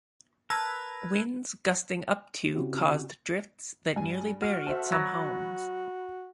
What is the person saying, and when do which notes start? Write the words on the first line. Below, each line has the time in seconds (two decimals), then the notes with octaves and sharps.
Winds gusting up to caused drifts that nearly buried some homes.
0.50 A#4 B4 A5 E6 G#6
2.55 C#3 C4 C#4 E4 F#4 G4
3.96 G2 G#5
4.42 F#4 F6
4.67 A4 C5 E5
4.92 F#3 B5 A6 A#6